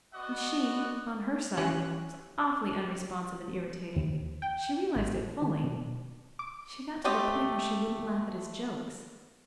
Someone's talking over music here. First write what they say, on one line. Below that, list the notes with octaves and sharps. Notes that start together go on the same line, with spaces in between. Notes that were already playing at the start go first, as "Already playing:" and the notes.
And she, on her side, was awfully unresponsive and irritating,--she realized it fully,--she got to the point where she wouldn't laugh at his jokes.
B3 F#4 D5 D#5 F#5
E3 C#4 G4 F#6
D#2
G5
A1
D#3
B2
D6
A3 C4 G4 D#5